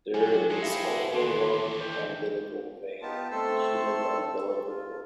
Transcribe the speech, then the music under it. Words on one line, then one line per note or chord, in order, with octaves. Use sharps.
There is only one umbilical vein in the human umbilical cord.
F#3 F4 G4 G#5
E4 G#4 C5 F#5
E4 G4 F5 A#6
D#2 D3 E3 A4 C6 D7
G5
B3 D#4 F4 G4 A5
A3 C4 A4 A5 C6 E6
F4